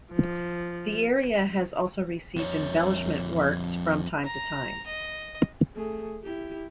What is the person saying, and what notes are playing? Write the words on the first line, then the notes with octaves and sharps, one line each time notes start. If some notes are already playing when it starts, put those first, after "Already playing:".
The area has also received embellishment works from time to time.
F3
F2 C#5
A#5
D#5
A3 G#4
E4 G4